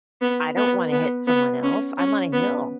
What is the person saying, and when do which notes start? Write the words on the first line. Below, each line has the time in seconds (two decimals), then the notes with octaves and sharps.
I don't wanna hit someone else, I'm on a hill.
0.21 B3
0.57 B3
0.92 B3
1.27 B3
1.63 C#4
1.98 C#4
2.33 B3